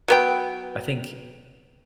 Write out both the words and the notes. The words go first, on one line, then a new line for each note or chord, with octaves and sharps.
I think
F#3 B3 G5